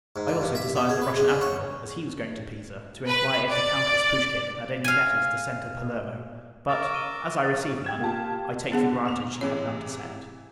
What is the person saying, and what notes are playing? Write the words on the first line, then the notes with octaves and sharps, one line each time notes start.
I also desired the Russian Admiral, as he was going to Pisa, to inquire if the Countess Pouschkin had any letters to send to Palermo; but, as I received none, I take for granted she had none to send.
G#2
D3
G2
E5
B3
G#4
B4
G#3
D3
C#5
B4
D5
F5 G#5
A#4 C#6 D6 E6 A6
D#7 G7
D#6 A6
G5 G#6 E7
A#3 F4 G4 A5
D3 B3 G#4 F#5
A#3 E7 F7
C3 E3 G#3 C#5